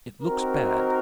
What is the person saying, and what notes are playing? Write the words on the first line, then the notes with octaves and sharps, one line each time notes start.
It looks bad.
C4 D#4 F#4 A#4